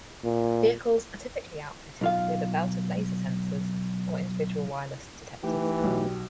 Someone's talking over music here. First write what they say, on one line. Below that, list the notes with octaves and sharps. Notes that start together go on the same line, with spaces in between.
Vehicles are typically outfitted with a belt of laser sensors or individual wireless detectors.
A#2
B1 F4 F5
E3 A3 D#4 G4 B4
B1